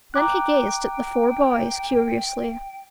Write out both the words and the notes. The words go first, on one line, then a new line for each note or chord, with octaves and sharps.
Then he gazed at the four boys curiously.
G5 A#5 D6 F#6